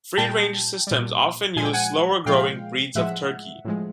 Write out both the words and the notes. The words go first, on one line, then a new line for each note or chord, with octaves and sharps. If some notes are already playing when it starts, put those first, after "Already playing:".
Free-range systems often use slower-growing breeds of turkey.
A#2 G3 G5 A5
A#2 G3
A#2 F3 G#3 G#5
G5
F#5 G#5
A#2 F3 G#3 F5 G5
A2 F3 G#3 E5 F#5
A2 F3 G#3